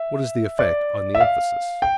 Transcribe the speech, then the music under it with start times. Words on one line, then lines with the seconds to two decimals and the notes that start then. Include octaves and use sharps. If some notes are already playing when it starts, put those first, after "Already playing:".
What is the effect on the emphasis?
Already playing: E5
0.59 D5
1.15 E5
1.20 F5
1.82 G5